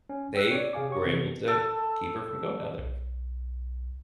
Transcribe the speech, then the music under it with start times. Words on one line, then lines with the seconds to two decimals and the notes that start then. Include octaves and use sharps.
they were able to keep her from going down there.
0.09 C#4
0.35 G5 E6 F#6
0.51 C#5 D5
0.73 C3 G#4 F5 G#5 D6
0.90 G4 C#5 C#6
1.06 C3 E3 B3
1.48 A4
2.79 B1